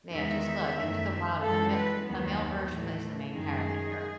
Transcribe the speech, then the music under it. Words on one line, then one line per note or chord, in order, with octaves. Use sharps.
Yeah, just look, Into the Wild. Emil Emile Hirsch plays the main character.
E2 D#3 G#3 E5
F#2 D#3 A3
F#2 E3 G#3 A4
B4
D#2 D#3 F#3 B3
A2 E3 A3
F#2 D#3 G#3 G#4